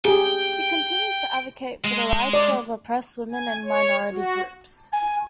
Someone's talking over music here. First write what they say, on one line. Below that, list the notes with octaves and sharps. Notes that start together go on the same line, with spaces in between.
She continues to advocate for the rights of oppressed women and minority groups.
G4 G#4 G5
G#3
D5
G#5
C#5
F#4
G#5